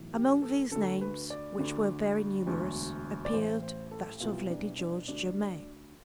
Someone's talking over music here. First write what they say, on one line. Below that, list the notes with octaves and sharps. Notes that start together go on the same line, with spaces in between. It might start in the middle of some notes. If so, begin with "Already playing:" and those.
Among these names, which were very numerous, appeared that of Lady George Germain.
Already playing: B1 A2 E3
G4
A4
D2 D3 A4
B4
D5
D2 D3
E1 D2 D3
D5
A1 A2 E3 C5
C5
A4
C2 B2 F4
D4
D4
D2 D3 D4